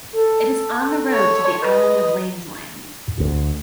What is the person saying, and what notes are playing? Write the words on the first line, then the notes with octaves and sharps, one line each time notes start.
It is on the road to the island of Langeland.
A4
C#5
B4 D#5
D2